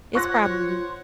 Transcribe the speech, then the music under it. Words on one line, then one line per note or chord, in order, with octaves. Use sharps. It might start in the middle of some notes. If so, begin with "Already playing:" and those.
it's probably"
F4 C5 C#5 F#5 C#6 F#6 A#6